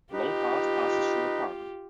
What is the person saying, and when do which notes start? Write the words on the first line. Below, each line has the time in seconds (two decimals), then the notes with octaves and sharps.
The Long Path passes through the park.
0.13 D#4 F4 G4 B4